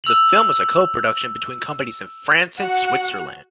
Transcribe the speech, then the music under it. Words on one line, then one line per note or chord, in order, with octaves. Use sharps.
The film was a co-production between companies in France and Switzerland.
E6 F7 F#7
F#4 F#5